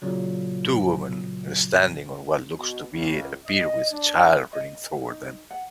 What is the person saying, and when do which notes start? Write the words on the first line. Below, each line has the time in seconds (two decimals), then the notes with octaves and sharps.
Two women are standing on what looks to be a pier with a child running toward them.
0.02 A#2 C#3 F#3
2.56 B2
2.92 C#2
3.45 D#5
3.92 D4
4.53 D#5
5.06 D#4
5.51 F#5